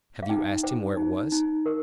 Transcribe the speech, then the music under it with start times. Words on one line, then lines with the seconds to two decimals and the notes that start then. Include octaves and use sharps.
Have you asked him where it was?
0.23 F5
0.29 D#4 G5
0.63 C5 G5
0.97 D#4
1.32 D#4
1.66 A#4